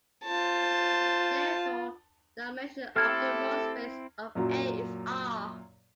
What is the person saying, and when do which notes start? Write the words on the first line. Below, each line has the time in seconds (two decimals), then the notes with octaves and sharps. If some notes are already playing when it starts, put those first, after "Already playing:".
Therefore, the dimension of the row space of "A" is "r".
0.25 F4 C5 A5
2.96 A3 C4 E4 G4 A4 F6 G#6
4.35 F#2 A#2 F#3